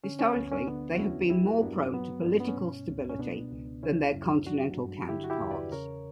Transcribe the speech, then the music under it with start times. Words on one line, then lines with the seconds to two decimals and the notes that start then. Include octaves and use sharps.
Historically they have been more prone to political stability than their continental counterparts.
0.04 D3 C#4
0.19 C#4
0.36 D2 B3
0.51 C#4
0.67 D3 B3 D4
0.94 F#4
0.98 E2 C#4 E4
1.30 F#3 E4 G4
1.46 F#4 A#4
1.62 G2 B3 D4
1.78 C#4
1.93 F#3 B3
2.25 G2 D4
2.32 C#4
2.40 B3
2.48 C#4
2.56 B2
2.88 C#2
3.09 C#4
3.19 B2 B3 D4
3.52 C#2
3.83 C#3 C#4 E4
4.14 F#2
4.46 F#3 D4 F#4
4.78 G2
5.09 D3 E4 G4
5.24 F#4
5.30 E4 G4
5.41 E2
5.51 B4 D5
5.72 C#3 A#4 C#5